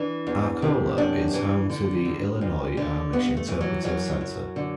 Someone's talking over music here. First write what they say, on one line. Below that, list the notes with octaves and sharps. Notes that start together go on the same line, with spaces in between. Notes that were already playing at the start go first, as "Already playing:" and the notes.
Arcola is home to the Illinois Amish Interpretive Center.
Already playing: E3 D4
E2
C3
F#2 D4
E3
D3
D2
D2
D3
G2 B3
A3
E3
F#3
F#2 F#3
F#2
D3